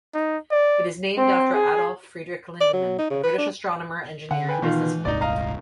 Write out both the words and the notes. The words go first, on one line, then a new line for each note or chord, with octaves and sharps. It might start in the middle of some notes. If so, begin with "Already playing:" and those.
It is named after Adolph Friedrich Lindemann, a British astronomer, engineer and businessman.
D#4
D5
C4
G#4
D5
F#3
D#4
C#3
B4
D4
D3 F#5
B4 G5 G#5
B2 D#3 E3 F4
D#1 C2 G#2 D#4 D5
D#5 F5 A#5